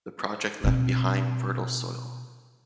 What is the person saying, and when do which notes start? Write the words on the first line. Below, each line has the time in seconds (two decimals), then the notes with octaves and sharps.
The project left behind fertile soil.
0.64 B2 C4